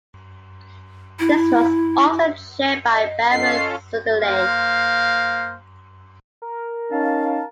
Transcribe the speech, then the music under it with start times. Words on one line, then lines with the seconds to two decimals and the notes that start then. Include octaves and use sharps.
This was also chaired by Baron Sudeley.
1.19 E4
2.94 D#5
3.31 C#4 F4 A4 D#5 C7
4.22 A#3 C5 F5
6.42 A#4
6.92 C#4 D#4 F5 A5